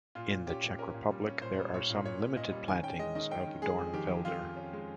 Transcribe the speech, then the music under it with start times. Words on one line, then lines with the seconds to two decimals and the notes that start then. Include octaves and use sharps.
In the Czech Republic, there are some limited plantings of Dornfelder.
0.15 A#2 F4
0.32 A#2
0.47 C#4 G4
0.63 A#2
0.78 C#4 A#4
0.94 A#2
1.10 G3
1.27 C#4
1.41 A#2 C5
1.58 G3
1.74 A#2 C#5
1.90 A#2
2.06 A#2 C#5
2.21 C#4
2.36 A#2 D#5
2.52 G3
2.68 D#3 G#5
2.83 C#4 G5
2.99 G#3 D#5
3.15 D#3 D#5
3.31 C#4 G5
3.47 D#3
3.62 G#3 G#4
3.78 F2
3.93 D#3 G4
4.09 F2
4.25 F2 F4
4.42 F2
4.56 C#4
4.73 G#3